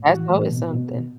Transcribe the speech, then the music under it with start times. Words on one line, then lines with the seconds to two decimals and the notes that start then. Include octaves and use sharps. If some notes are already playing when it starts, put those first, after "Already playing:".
that's always something.
Already playing: A2
0.09 E3 F#4
0.29 A2 A3
0.49 B2
0.71 B2
0.91 B2